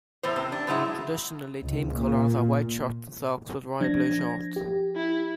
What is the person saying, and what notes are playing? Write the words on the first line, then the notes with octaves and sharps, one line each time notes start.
Traditionally, team colours are white shirts and socks with royal blue shorts.
E2 A2 C5
C3
D4
G#2 C#3 F#3 G#3 E4
C#2
A#2
F3 D4 G#6 A#6
G4
E4